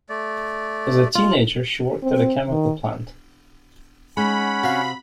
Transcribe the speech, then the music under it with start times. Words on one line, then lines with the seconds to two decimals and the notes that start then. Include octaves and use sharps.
As a teenager she worked at a chemical plant.
0.09 A3 D5
1.15 F4
2.02 C4
2.50 D#3
4.17 G#3 C#4 D#4 F#5 B5
4.63 C3 F#4 F5